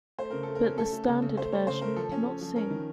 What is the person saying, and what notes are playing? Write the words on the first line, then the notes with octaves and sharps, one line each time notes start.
But the standard version cannot sing.
A3 C5
C#3 A#4
A4
A3
A#4
C#4
A3 A4
A3
C#3
C#3
A3 C5
A3 C#5
C#3 C5
A3 A#4
F3 A4
C#4
C#4
F3
C#4 A#4
D#3